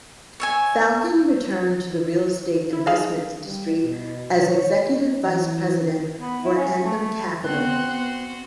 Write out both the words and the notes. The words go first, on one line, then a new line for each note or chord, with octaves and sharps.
Falcon returned to the real-estate investment industry as executive vice-president for Anthem Capital.
C#5 E5 G#5
E4
D#4 G#4 D5 F5
G3
B2
C#5
D#4
E3
B3
E4
C#4
A3
B3 C4 F#4 C6 F#6